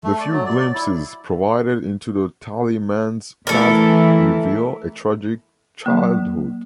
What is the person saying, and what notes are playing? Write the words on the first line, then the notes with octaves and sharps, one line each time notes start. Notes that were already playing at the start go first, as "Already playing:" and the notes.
The few glimpses provided into the Tally Man's past reveal a tragic childhood.
A3
D5
F#3
D5
D5
E4
E3 A3 E4 A4 A#4
F#3 A#3